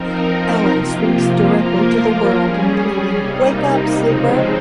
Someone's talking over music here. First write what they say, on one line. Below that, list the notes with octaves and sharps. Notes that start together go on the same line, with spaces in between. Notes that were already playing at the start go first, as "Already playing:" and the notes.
Allan speaks directly to the world in pleading Wake up, sleeper!
Already playing: F3 C4 D#4 A#4
C3 F3 A#3 F4
F3 A#3 F4 A#4
G3 C#4 G#4
C3 G3 A#3 D#4
C#3 F3 G#3 C4 D#4